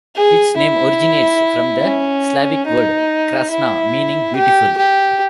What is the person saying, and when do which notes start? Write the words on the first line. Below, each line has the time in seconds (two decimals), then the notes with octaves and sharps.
Its name originates from the Slavic word "krasna," meaning "beautiful".
0.16 G#4
0.57 E4
1.83 C#4
2.66 D#4
3.51 E4
4.35 G4
4.77 G4